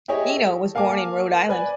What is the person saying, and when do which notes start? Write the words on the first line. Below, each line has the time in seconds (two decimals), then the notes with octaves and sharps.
Eno was born in Rhode Island.
0.08 E4 G4 G#4 C#5 D#5
0.36 A4
0.75 A#3 F5 G#5 A5 D6
1.49 B4 D5 G#5